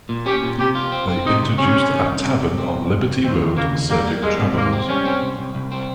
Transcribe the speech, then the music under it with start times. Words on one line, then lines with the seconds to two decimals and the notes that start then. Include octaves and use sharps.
They introduced a tavern on Liberty Road serving travelers.
0.09 A#2
0.26 C#4 G4
0.43 A#2
0.59 C3 G4
0.75 F4
0.92 C4
1.09 C4
1.25 C3 D#4
1.41 C#2
1.58 C3 C#4
1.75 C3
1.91 D#3
2.08 C2
2.24 C3
2.41 C3
2.58 C4
2.74 C2
2.90 C2
3.07 C2
3.23 D#2 C4
3.40 D#2
3.56 C#3 A#3
3.73 D#2
3.89 G3 A#3
4.07 A#3
4.22 G3 G#3
4.39 C3
4.55 G#2 A#3
4.73 C4
4.88 G3 C#4
5.05 C4
5.22 C2
5.39 C2
5.55 C2
5.72 C4